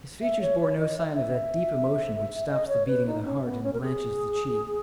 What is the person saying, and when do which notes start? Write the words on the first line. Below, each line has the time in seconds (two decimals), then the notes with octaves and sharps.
His features bore no sign of that deep emotion which stops the beating of the heart and blanches the cheek.
0.22 E5
0.42 C#5
0.60 C#5
0.79 D#5
0.98 E5
1.06 D#5
1.14 E5
2.49 D#5
2.68 C#5
2.87 B4
3.07 D#4
3.24 C#4
3.44 B3
3.63 C#4
3.73 A#4
3.82 G#4